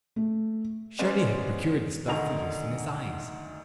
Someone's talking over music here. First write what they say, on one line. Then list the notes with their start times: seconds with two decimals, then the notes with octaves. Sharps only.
Shirley had procured the stuff for use in his eyes.
0.16 A3
0.99 G#3 B3 C#4 C5 D5
2.08 D2 D3 D#3 D#4 A#5 F7